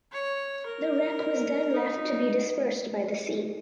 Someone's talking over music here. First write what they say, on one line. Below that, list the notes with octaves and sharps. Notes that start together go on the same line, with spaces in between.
The wreck was then left to be dispersed by the sea.
C#5
A#4
D#4